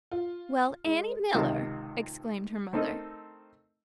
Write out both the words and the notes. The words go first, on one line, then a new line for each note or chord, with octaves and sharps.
"Well, Annie Miller!" exclaimed her mother.
F4
G#3
G#1 C#2 C3 D#3 F4 A5
A3 C4 D#4 A4 A#4 D#5